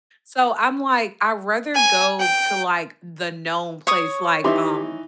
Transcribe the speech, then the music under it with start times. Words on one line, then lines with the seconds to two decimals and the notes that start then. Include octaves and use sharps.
so I'm like, "I'd rather go to, like, the known place." like, um
1.74 G#5
2.19 G5
3.87 C#5 C#6 D#6
4.44 E3 D#4 G4 E5 C6